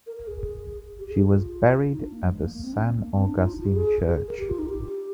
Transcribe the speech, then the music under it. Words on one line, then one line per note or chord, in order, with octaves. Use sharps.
She was buried at the San Agustín church.
A#4
A#4
G#4
G4
G#4
G4
F4
D#4
D4
A#3
F3
G#3
A#3
A#3
C4
D4
C4
A#3
C4
D4
D#4
F4
F4
G4
G#4
G#4
A#4
G4
F4
D#4
G4